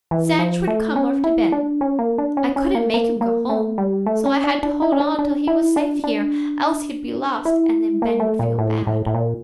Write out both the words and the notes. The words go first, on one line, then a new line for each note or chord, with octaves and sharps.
"Sanch would come after Ben; I couldn't make him go home, so I had to hold on till he was safe here, else he'd be lost, and then Ben would feel bad."
E3
F3
A3
C#4
E4
D4
C#4
A#3
D4
C#4
C#4
A#3
A#3
A#3
A3
G3
A3
C#4
D4
D4
E4
C#4
D4
D4
E4
D4
D4
E4
A#3
A3
A#2
A2
A2
A2
A#2